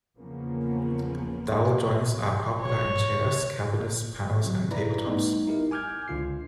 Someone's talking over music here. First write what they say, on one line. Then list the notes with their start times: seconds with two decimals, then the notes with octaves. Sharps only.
Dowel joints are popular in chairs, cabinets, panels and tabletops.
0.16 E2 C#3 F3 A#3 B3 C#4
2.62 C#5
4.45 C3 F#3
4.71 E4 B4 D5 A#5
5.07 G3 A3 B3 D#4
5.47 D#4 E4 G4 A#4
5.71 G#5 D6 F6 G6 G#6
6.08 C#2 D3 F4 C7